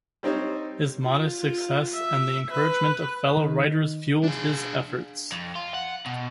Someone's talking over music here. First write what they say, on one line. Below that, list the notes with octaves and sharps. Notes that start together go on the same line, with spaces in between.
His modest success and the encouragement of fellow writers fueled his efforts.
G3 C4 D#4 C5 C#5
F4
F4
E5
B4
D#3
D4 G#4
F2
F4
F#5
B2